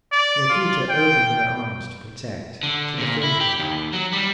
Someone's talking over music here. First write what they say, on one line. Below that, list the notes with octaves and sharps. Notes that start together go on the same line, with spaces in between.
Yaquita opened her arms to protect, to defend her.
D5
F4
G5
D3
A#2
E4
G4
D#2
F#3
G3